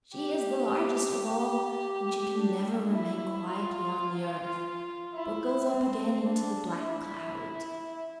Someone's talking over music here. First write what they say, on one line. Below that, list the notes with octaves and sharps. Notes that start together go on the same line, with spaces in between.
She is the largest of all; and she can never remain quietly on the earth, but goes up again into the black clouds.
G4
G4
D4
E4
F4
E4
C4
D4
E4